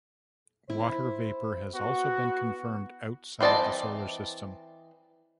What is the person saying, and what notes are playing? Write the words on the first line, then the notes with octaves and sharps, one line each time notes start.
Water vapor has also been confirmed outside the Solar System.
E4 C5
B3 F#4
E3 C4 D5 D#5 A5